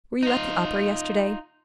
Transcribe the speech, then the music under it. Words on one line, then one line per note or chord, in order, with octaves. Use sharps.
"Were you at the opera yesterday?"
D#4 F4